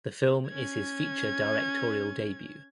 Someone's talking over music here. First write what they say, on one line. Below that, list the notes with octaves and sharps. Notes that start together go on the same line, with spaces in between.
The film is his feature directorial debut.
C#4 G#6